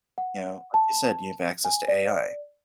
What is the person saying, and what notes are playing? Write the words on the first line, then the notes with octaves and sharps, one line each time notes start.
you know, like you said, you have access to AI.
F#5
A5
G#5
D5